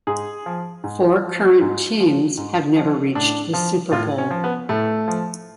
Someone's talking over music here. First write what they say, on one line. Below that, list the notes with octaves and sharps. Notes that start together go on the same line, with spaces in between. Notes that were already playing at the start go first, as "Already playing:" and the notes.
Four current teams have never reached the Super Bowl.
G#2 G#4
F3
G#2
F3
G#2
F3
G#2
F3
A2 D4
F3
A2 F4
C#4
F3
B3
A2 A3
F3